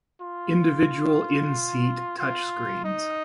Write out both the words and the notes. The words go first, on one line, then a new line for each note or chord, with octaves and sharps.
Individual in-seat touchscreens.
F4
F4
D#4